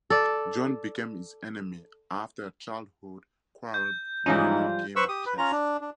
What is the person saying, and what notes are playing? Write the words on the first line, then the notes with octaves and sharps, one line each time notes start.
John became his enemy after a childhood quarrel during a game of chess.
A4 D5
G6
G#2 E3 F3 G3 C#4 D#4 F4
B4 C5 B5 C#6 E6
G4 D#6
B4
C#4 F4 A#5
D4
D4